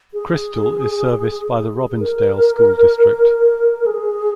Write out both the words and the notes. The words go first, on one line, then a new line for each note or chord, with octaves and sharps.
Crystal is serviced by the Robbinsdale School District.
G#4
A#4
G#4